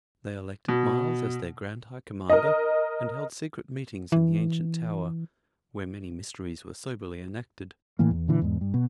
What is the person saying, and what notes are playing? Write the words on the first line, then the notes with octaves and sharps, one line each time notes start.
They elected Myles as their Grand High Commander, and held secret meetings in the ancient tower, where many mysteries were soberly enacted.
B2
A#4 D#5
E3
A2 E3 A#3
E2
A#2 D3 E3
E2 G#2
G2
B2